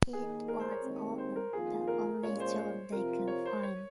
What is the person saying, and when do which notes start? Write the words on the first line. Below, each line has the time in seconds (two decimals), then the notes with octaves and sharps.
It was often the only job they could find.
0.13 D#2 D#3 A#3 D#4 G#4
0.48 A#4
0.60 C5
0.72 C#5
0.83 D#2 D#3 G#3 C4
1.18 C5
1.36 A#4
1.53 F2 D#3 A#3 F4 G#4
1.88 A#4
2.23 A#2 G#3 C#4 F4 C#5
2.40 C5
2.58 C5
2.92 C3 F3 C4 F4 A#4
3.28 C#5
3.46 C5
3.63 C#5